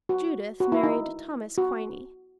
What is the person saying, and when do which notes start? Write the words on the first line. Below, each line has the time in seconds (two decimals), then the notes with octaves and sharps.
Judith married Thomas Quiney.
0.09 F#4
0.60 F#4
0.72 E4
0.83 D#4
1.58 F#4